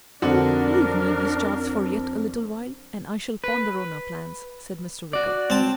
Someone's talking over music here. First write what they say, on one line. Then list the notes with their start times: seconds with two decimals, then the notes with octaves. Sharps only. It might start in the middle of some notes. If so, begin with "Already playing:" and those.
"Leave me these charts for yet a little while, and I shall ponder on our plans," said Mr. Wicker.
0.22 F2 D3 D4 F#4 A#4
3.44 B4
5.13 F#4 D5
5.50 C4 A5